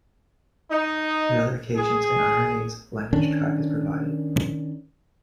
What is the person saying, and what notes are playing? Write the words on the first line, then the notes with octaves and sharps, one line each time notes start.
In other occasions, an Aranese language track is provided.
D#4
G#4
D#3 C#4 D4